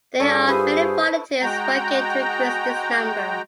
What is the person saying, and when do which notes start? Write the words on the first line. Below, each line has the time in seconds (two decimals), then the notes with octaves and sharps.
There are many volunteers working to increase this number.
0.20 G2 F4 G#4 A4 D5 C#6 D6
0.48 E4 G4 B4 C5 D#6
1.41 G#3 F#4 G5 A#5